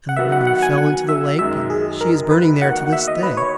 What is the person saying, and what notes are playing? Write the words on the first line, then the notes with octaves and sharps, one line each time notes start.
And the woman fell into the lake and she is burning there to this day.
F#5
D#3 F#3 B3 F#4 E5
F#5
F#5
G#5
F#5
E5
F#2 D#3 G#3 D#4 E5
G#4
A#4
B4
E2 D#3 A#3 D#4 F#4 F#5
F#5
E5
D#5
B4
C#5